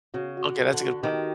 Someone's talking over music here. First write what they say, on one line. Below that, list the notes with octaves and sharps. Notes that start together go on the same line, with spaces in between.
Okay, that's a good point.
C#3 F#4
F#4
D3
A4
D3
F#4
D#3 G4